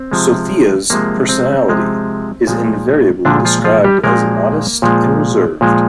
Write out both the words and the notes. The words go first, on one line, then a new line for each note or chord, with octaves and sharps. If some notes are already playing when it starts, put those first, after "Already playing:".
Sothea's personality is invariably described as modest and reserved.
Already playing: C4
C3 F3 G#3
C3 F3 G#3 A#3
C4
C3 F3 G#3
A#2 F3 G#3
A#2 D3 F3 G#3 D4
F3 F4
F3 F4
G3 G4
A#2 F3 G#3 A#3 A#4
A#2 F3 G#3
A#2 F3 G#3